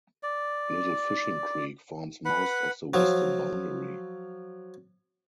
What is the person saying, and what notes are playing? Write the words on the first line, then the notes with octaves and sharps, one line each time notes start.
Little Fishing Creek forms most of the western boundary.
D5
B4 F#5 B5
F3 F#3